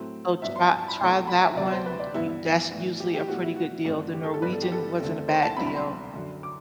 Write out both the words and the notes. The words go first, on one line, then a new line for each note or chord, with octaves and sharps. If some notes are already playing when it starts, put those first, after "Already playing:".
oh, try try that one, u that's usually a pretty good deal, the Norwegian wasn't a bad deal.
Already playing: A2 F#3 A3 C4
G2 F#3 B3 E5
C6
A5
B5
C2 B2 A3 C4 C6
B5
E5
D2 C3 F#3 B3 D5
C5
B4
D5
G2 E3 G3 B3 E4
E4
A2 E3 B3
G4
G4
A2 G3 B3 F#4
E4
F#4
G2 D3 A3 C4
G4
A4
A4
G2 E3 B3 B4
A4
G4
A4
D2 D3 A3 C4
C5
A5
C2 B2 F#3 C4 B5
B5
C6
F#2 D3 F#3
D6